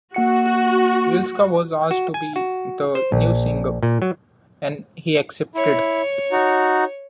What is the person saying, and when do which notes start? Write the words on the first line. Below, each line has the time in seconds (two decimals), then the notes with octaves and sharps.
Wilska was asked to be the new singer, and he accepted.
0.14 A#3 F#4 F#5 C#7
1.91 F#4
2.14 G#5
2.36 F#4
2.95 C5
3.12 A#1
3.83 A#2
4.02 F#3
5.55 E4 C#5
6.32 D#4 F#4